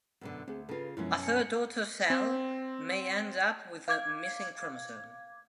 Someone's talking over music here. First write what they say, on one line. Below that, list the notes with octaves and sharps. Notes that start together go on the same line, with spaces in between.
A third daughter cell may end up with the 'missing' chromosome.
F#2 B2 D3
D2 C4 G#4
C#3 F4 A4 B4
F#2 B2 F3 G#3 C#4 E4
G#5 A5 C#7
C4
F5 D6 G#6